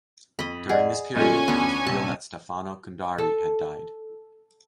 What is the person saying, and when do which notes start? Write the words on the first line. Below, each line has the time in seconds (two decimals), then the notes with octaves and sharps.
During this period, it was revealed that Stefano Cundari had died.
0.39 F2 D#5 B5
0.69 G#4 D5 D#5 F#5
1.15 G1 A#2 F3 C#4 F4 A4 D#5 G#5
1.48 D2 B3 D4
1.87 A#1 G2 C3 A5
3.18 A4